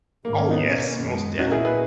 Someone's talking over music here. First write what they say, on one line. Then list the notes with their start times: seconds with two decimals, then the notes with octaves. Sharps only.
Oh yes, most definitely.
0.25 G#2 D#3 G#3 A#3
0.38 A#3 C#4
0.50 B3 D#4
0.63 B2 A#3 C#4
1.01 F#2 D#3 G#3
1.39 A#2 A#3 C#4 D#4 F#4
1.47 A#4
1.52 E4 G#4
1.65 G#4 B4